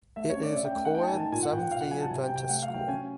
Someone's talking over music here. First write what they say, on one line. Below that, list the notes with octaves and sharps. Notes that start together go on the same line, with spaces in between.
It is a coed Seventh Day Adventist school.
A3 E5
C#5
C#4
D5
C#4 E5
G5
A3
F#5
D#4 G5
A5
G#5
D#3
A5
A#2 G#5
F#5
A#2 G5
F#5
B2 F5
F#5
F#3 G#5
A5
C3 G#5
G5
C3
G5
A3 F#5
F5
F#3
G5
C#4 G#5